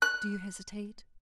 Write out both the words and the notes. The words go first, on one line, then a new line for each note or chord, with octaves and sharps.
Do you hesitate?
F#6